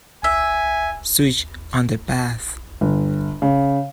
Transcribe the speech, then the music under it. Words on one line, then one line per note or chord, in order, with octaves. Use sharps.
Switch on the bath.
E5 G#5
G1
C#3